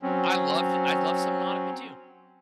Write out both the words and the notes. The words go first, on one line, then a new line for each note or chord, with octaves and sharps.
I loved I loved some Nautica too.
F#3 C4 C#4